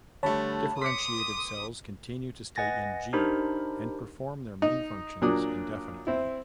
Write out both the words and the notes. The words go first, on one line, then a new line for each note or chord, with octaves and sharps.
Differentiated cells continue to stay in G and perform their main functions indefinitely.
D3 G3 A3 C#5 A5 B5
C6 D6 D#6 B6 C#7
B4 D#5 F#5 G#5 A6 A#6
D4 D#4 G4 A#4 C5 B5
D#4
A#2 F#3 A#3 D4 D#6
C4 E4